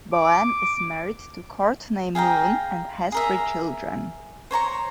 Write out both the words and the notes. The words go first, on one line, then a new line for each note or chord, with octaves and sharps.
Boehm is married to Cortney Moon and has three children.
D6
G#4 F5 G5 A#5
G#4 A#4 E5
C5 C#5 A#5 C#6